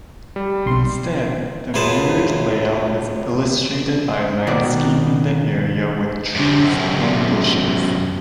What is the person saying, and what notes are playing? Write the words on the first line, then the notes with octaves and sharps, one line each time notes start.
Instead, the mirrored layout is illustrated by landscaping the area with trees and bushes.
G3
B1 C6
C#2 F#2 G#4 B4 C5 A5
B2 D#3 F#4 D5
F#2 C3